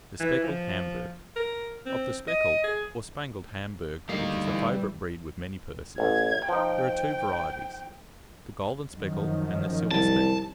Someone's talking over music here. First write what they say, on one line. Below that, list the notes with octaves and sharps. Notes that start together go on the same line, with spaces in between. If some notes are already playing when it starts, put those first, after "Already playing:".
THE SPECKLED HAMBURG.--Of the speckled, or spangled Hamburg which is a favourite breed with many persons, there are two varieties,--the golden-speckled and the silver-speckled.
E3
F3
A#4
C4
D#5
G#4
D2 G3 A#3 D#4 F5
E3
A1 G#6
F3 D#4 G5
F#2 D#3 F3
C2 A5